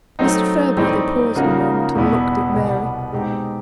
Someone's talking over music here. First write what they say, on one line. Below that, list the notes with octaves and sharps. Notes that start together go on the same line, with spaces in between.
Mr. Farebrother paused a moment and looked at Mary.
F#3 A3 C4 D#4
A2 E3 G3 C4 D#4
C#3 F3 A#3 D#4 F#4
E2 B2 G3 B3 E4
C2 B2 G3 B3
B2 G#3 C4 D#4 G4